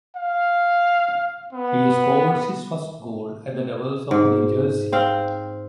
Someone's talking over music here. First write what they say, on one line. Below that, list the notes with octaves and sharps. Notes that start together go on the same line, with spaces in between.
He scores his first goal at the Devils of New Jersey.
F5
B3
G#2
C4 F5